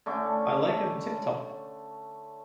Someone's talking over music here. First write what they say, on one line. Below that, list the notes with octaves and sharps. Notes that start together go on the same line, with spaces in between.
I like 'em tip-top.
D3 A3 C#4 D6